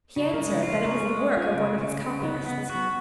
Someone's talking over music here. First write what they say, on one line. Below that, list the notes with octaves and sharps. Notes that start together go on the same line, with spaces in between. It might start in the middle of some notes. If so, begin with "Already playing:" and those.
He answered that it was the work of one of his copyists.
C#3 F#4
A#4
G#3
B4
F4
C#5
C#4 A#4
G#4
G#3
C#4
F4
C#3
C#3
C#3
B3 D#4
C#4
B3
G#3
F#4
F#3